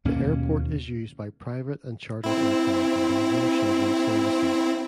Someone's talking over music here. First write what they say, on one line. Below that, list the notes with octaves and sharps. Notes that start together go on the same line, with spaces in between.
The airport is used by private and chartered aircraft and has no scheduled services.
D#2 B2 A#3 C#4
C4 E4